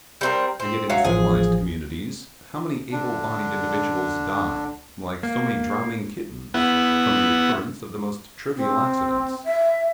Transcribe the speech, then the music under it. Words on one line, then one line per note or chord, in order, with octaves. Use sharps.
And yet in civilized communities how many able-bodied individuals die, like so many drowning kittens, from the occurrence of the most trivial accidents!
G3 C4 A#4
C4
F#3 C#5 E5 F5
A1 F3 G#4 G#5
D3 D4
A#3
B3 E4 F#5
C4
E5